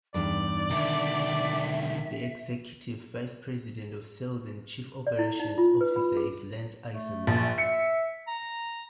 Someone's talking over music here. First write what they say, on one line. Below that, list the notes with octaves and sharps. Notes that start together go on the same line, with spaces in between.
The Executive Vice President of Sales and Chief Operations Officer is Lance Iserman.
E2 G2 D#4 D5
B1 D3 D#3 E5
D5
E4
D#4
F4
B4
B5
G#4
A3
A#1 A5
E5 C#7
A#5